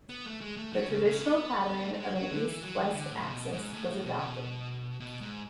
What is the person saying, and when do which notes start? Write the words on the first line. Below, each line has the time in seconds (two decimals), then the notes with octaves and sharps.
The traditional pattern of an east-west axis was adopted.
0.09 B3
0.26 A3
0.41 G#3
0.57 A3
0.73 F#3
0.89 C#3
1.05 C#3
1.21 B3
1.84 A3
1.94 A3
2.00 G#3
2.15 F#3
2.31 D3
2.47 E3
2.63 F#3
2.78 E3
2.94 D3
3.10 A2
3.21 C#3
3.31 B2
3.53 G#2
3.73 A2
4.06 B2
4.16 C#3
4.26 B2
5.00 B2
5.21 G#2